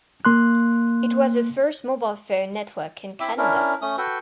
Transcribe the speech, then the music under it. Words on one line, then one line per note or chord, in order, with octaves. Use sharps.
It was the first mobile phone network in Canada.
A#3 C6 F#6
C4 E4 E5 D6
C#4 D4 E4 A#4
A3 C#4 D#6
F#4 A4 B4 G5